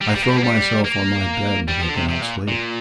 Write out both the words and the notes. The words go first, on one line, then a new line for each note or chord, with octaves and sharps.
I throw myself on my bed; but I cannot sleep.
G3
A#3
G3
A#3
G3
A#3
G3
A#3
G3
F3
D3
C3
C3
A#2
A#2